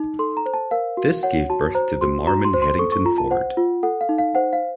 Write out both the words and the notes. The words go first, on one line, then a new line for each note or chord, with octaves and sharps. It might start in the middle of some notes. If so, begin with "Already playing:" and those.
This gave birth to the Marmon-Herrington Ford.
Already playing: D#4
A4 C6
A#5
C5
A5
A#4 F5
F#4
C#5 F#5
F#4 A5
C5 A#5
F#4 C6
F#4 A#5
C6
C5
C6
A4 C#6
C#6
F4 A#5
A5
C5 F#5
F4
A4 F#5
F5
D#4
F5
C5 F#5
F5